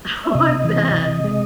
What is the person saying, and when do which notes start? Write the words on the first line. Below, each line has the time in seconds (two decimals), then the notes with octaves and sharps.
I want that.
0.24 E5
0.35 C3 D#5
0.64 E3
0.94 C3
1.24 G#3